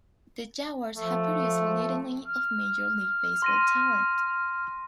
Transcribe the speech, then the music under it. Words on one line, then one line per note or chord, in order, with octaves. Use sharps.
The Jaguars have produced a litany of Major League Baseball talent.
F3 A3
F6
C6 A#6 D#7